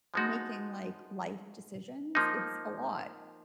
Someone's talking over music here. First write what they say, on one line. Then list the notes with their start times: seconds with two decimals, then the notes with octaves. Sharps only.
making, like, life decisions it's a lot.
0.14 F3 G#3 B3 D#4 F#4
2.15 F3 A#3 D#4